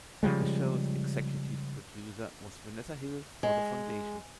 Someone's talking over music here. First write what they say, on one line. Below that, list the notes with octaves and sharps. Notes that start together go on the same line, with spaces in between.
The show's executive producer was Vanessa Hill for The Foundation.
C#3 F3 G3 G#3
G#3